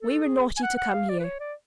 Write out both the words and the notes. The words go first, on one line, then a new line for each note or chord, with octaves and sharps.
We were naughty to come here.
A4
G#4
G#5
F#5
F#5
F5
D5
B4
C#5
D5